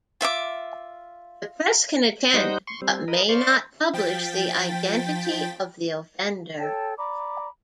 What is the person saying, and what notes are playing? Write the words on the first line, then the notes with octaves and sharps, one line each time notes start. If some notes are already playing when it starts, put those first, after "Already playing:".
The press can attend but may not publish the identity of the offender.
F4 E5 G5 D6
G3 D#4 C5 D#5 F#5 G6
C6 C#6
G3 C4
A#4 B4 D#5
C5 D5 F5 C6 C#6
F3 G5 A6 B6
A4 C#5 G5 A5
D5 A#5 B5 D6